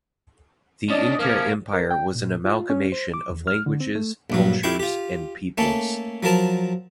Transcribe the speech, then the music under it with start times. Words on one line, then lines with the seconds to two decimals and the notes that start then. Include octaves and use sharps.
The Inca Empire was an amalgamation of languages, cultures and peoples.
0.90 C#4 D4 D5 D#5
1.19 C3 F3 A#3 C#4
1.73 A#4
1.91 G5
2.15 A#2
2.45 F4
2.70 C#4
2.92 C5
3.14 D6
3.30 E2
3.47 F6
3.66 D3
3.81 C4
3.95 A3
4.30 A#1 G2 F#3
4.63 E4 G4 G5 C6 C#6
4.79 F4 G4
5.58 A3 A#3 C#4 A4
6.23 F3 F#3 A#4 A5 A#5